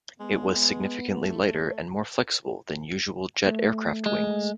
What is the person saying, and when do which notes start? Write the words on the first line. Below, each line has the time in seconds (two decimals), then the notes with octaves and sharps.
It was significantly lighter and more flexible than usual jet aircraft wings.
0.20 G#3 B3
1.22 A3
3.46 A3
4.06 G#3